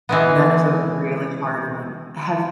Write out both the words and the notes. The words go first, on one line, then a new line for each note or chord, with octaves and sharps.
That is a really hard one, have
E3 G#3 B3